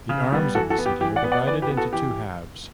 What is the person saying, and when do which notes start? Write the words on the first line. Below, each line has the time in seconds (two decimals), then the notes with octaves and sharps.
The arms of the city are divided into two halves.
0.09 C#3
0.32 G3 B3
0.55 E3 F#4 A4
0.70 F#4 A4
0.78 B3
0.86 G4
1.01 E3 G4
1.16 D5 F#5
1.24 B3
1.32 D5 F#5
1.47 E3 B4 D5
1.62 G4 B4
1.70 B3
1.77 F#4 A4
1.92 E3 G4